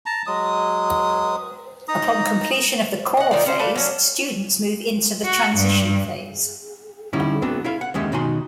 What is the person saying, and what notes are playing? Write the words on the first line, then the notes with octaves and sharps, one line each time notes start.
Upon completion of the core phase, students move into the transition phase.
A5 A#5
F#3 G#3 D#6
D#4 A#5 D#6
D#5 F#5
D#3 D#4 F4 D5
C#4 C5
A3 B4 D5 F5
F#3 C#4 D4
F#4
G2
D3 G3 C#4 D#4 E4
A3 B3 C4 D4 F#4
E4 E5 F5
F#5
D#2 D3 G#3 C#4 G4 E5
B2 D#3 D#4 F#4 G#5 C6